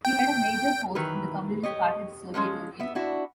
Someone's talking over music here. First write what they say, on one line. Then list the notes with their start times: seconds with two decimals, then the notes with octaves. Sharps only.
He had a major post in the Communist Party of the Soviet Union.
0.05 G5
0.95 D#3 E3 F#3 A#4 B4
1.63 G4 C#5 D#5
2.34 F3 G#3 A#3 C#4
2.80 B3 E5
2.95 D4 E4 F#4